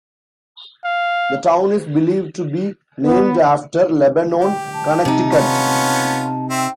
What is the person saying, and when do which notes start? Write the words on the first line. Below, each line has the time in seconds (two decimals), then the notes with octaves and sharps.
The town is believed to be named after Lebanon, Connecticut.
0.84 F5
3.04 B3
4.42 G4 G5
4.74 A5
5.05 C3 D#4
5.32 B3 C#4 F4
6.50 C4 E5 G5